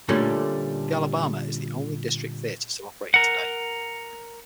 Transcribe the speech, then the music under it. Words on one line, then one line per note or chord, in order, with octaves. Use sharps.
The Alabama is the only district theater still operating today.
A#2 D3 G3 A3 C#4 D4
A#4 F#5